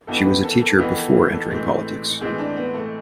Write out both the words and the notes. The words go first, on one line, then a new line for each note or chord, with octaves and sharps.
She was a teacher before entering politics.
F2 E3 B3 A4
B4
A4
A4
F2 E3 B3 B4
A4
G#4
A4
A2 E3 G#3 C4
A2 E3 G#3 C4 G#4
D4
B3
A3